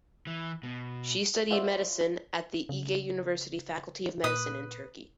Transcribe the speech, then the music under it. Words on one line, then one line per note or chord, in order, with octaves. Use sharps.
She studied medicine at the Ege University Faculty of Medicine in Turkey.
E3
B2
F4 F#4 C5 D5 E5
C#3
A#2 B4 D#6